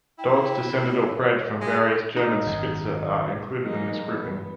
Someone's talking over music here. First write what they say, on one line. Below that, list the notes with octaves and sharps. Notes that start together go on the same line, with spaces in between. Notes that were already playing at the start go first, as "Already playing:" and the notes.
Dogs descended or bred from various German Spitze are included in this grouping.
E4 G5
C#5
G#3 E5
D#4
G#1 F#2
E3 F#3 G#3 A#3 D#4
E3 B3